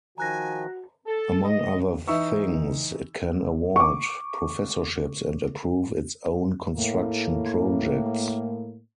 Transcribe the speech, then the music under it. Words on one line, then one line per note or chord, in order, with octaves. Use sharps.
Among other things, it can award professorships and approve its own construction projects.
D#3 F3 F#4 G#5 A#5 F#6 A#6
A4
D#5
E3 D#4 E5 C#6 E6
C#6 D6
A2 A#3